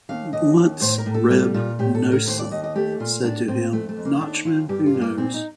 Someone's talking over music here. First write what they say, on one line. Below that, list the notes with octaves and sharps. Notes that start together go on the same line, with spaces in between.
Once Reb Noson said to him, Nachman, who knows?
D#2 F5
D#2 D#5
D#2
A2 C5
A#4
A2
A4
G3 F4
A#2 F4
A2 G4
A4
A2
A#4
D#2 C5
D5
D#2 D#5
D#5
A3 G4
A#2 F4
A2 D4
A2 C4
F2 A3
A3
F2
A#3
D#2 D4
D#2 F4
G2 G4
F4
G2
A#3
A#2 C4
D#4